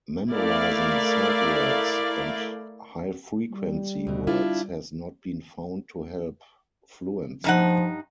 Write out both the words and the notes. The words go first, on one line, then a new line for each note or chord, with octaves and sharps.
Memorizing sight words and high frequency words has not been found to help fluency.
A3 E4 A#4 D5 F5
G3
D2 B2
D4 E4 F4
G2 F3 D#4 F#5